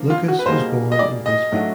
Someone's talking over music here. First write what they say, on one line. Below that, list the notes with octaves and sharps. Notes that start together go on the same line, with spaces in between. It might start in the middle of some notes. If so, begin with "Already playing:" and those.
Lucas was born in Brisbane.
Already playing: D3 F3 A#3
F4
F#4
B4
B2 G3 A#3 D#4 G#4 C5
D#5
D5
D#5
A2 F#3 A3 D4 F#4